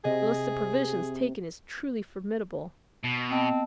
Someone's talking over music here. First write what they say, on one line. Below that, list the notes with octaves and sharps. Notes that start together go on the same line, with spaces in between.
The list of provisions taken is truly formidable.
C3 G#4 D#5
B2
B3 C4 D#5 A5